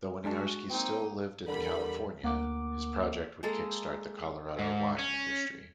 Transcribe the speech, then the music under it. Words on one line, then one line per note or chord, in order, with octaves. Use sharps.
Though Winiarski still lived in California, this project would kickstart the Colorado wine industry.
G#3 D4 F#4 G#5 A5
A#3 C4 D#4 G5
E2 D3 G3 A#4 B5
D2 A#3 F#5 D6
G#3 A#3 A4
G#2
C#4